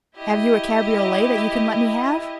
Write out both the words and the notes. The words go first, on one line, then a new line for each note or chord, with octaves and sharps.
"Have you a cabriolet that you can let me have?"
E4 G4 D#5